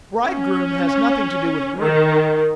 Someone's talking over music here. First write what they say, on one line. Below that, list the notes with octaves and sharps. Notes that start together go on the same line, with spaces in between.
Bridegroom has nothing to do with groom.
C#4
D#3